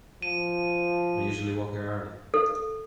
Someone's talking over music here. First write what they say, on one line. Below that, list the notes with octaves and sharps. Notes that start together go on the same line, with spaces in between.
I usually walk here early.
F3 D#7
A4